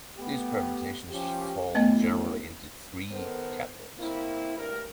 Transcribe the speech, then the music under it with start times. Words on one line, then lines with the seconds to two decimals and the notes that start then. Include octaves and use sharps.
These permutations fall generally into three categories.
0.17 A3 B3 G4
1.10 F3 C#4 G4
1.75 F#2 A2 A3 B3 D#5
3.11 D#3 B3 A4 A#4 C5
3.99 A#3 C4 E4
4.57 D2 G2 A#4